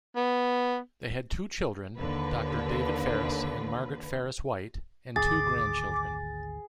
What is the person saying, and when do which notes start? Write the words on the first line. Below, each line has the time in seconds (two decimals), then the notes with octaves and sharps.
They had two children, Doctor David Ferriss and Margaret Ferriss White, and two grandchildren.
0.16 B3
1.98 D#2 D3 B4
5.16 G#1 D2 G#4 D6 A6